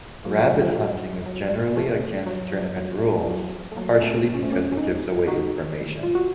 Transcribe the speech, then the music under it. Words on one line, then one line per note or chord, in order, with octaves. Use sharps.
Rabbit hunting is generally against tournament rules, partially because it gives away information.
F#3 A#3
F3 A3
F#3
F3
F#3
F#3
F3 A3
F#3
F3
F#3
F#3
A3
F#3 A#3
A3 C4
C4
C#4
A3 C4
A#3 C#4
C#4
C4 D#4
D#4 F#4
F4
F#4